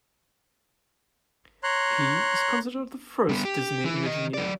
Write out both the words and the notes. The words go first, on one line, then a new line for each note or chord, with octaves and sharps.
He is considered the first Disney Imagineer.
C#5 A#5 C6 F#6
G3 B3
G4
E3 E4
D#3 D#5
F#3 D5